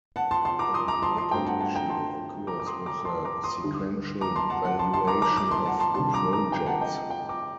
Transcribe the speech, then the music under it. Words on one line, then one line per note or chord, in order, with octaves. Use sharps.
A related issue occurs with the sequential valuation of projects.
F#5 A5
A5 C6
A5 C6
A#5 D6
C6 D#6
A#5 D6
A5 C6
A5 C6
G2 F#3 A3 C4 G5 A#5
F#5 A5
F#5 A5
G5 A#5
A5 C6
A#5 D6
D6
C6 D#6
A#5 D6
A5 C6
A#5 D6
C6 D#6
D2 D3 G3
A#5 D6
A5 C6
F#5 A5
F#5 A5
A5 C6
A5 C6
A#5 D6
A#5 D6
A#5 D6
A5 C6
F#5 A5
A5 C6
C3 D#3 G3 D4 A5 C6
A#5 D6
A#5 D6
G5 A#5
F#5 A5
D#5 G5
D#5 G5
A#5 D6